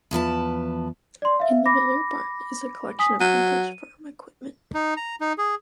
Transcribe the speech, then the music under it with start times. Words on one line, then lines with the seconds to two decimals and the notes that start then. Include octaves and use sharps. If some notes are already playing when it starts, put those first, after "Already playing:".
In the Miller Barn is a collection of vintage farm equipment.
0.11 E2 F3 B4 A5
1.22 D5 C6
1.40 E5 F5
1.66 B5 D6 A#6
2.99 G#5 D#6 B6
3.21 F#3 D#7
4.74 D#4
4.97 A#5
5.21 D#4
5.38 G#4